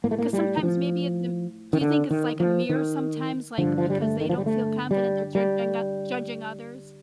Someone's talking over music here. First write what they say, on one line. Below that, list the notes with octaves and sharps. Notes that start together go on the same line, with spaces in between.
'cause sometimes maybe it's im Do you think it's, like, a mirror sometimes, like, because they don't feel confident they're judging o judging others?
A2 A#3
A3
A#3
G3
D#3
F3
D#3
D3
D#3
F3
D#3
G2 D3 F3
F3
G3
A3
D#3
F3
G3
A3
G3
G3